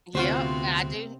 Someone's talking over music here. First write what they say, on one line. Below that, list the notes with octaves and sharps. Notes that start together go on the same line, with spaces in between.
Yep, I do
D2 C3 B3 C4 F4 F#4 C5